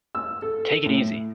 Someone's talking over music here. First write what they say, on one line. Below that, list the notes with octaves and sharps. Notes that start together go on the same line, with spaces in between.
Take it easy!
E6
A4
A2